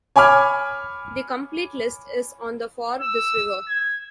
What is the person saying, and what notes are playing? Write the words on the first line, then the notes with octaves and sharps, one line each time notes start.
The complete list is on the for this river.
C#5 G#5 B5 D6 F6 G#6
E6
G#6